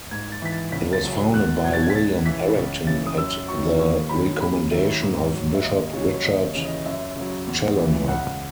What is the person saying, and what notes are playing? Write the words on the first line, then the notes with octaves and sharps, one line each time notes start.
It was founded by William Errington at the recommendation of Bishop Richard Challoner.
G#2 G#6
A6
E3 B6
A6
C#2 B6
A6
C#3 F#3
E2 F#6
B2 F#3 G#6
A6
G#6
B6
C#2 A6
C#3 E3 B6
C#2
C#3 E3 A6
D#6
F#2 E6
D#3 F#3 C#6
D#2 C#6
D#3 F#3 B5
D#2 B5
D#3 F#3 E5
G#2
F#3
E5
D#2 D#5
C#3 F#3 C#5
C#5
D#2 D#5
C#5
C#3 E3
D#5
F#2 E5
C#3 F#3
E2
C#3 E3
C#2 F#5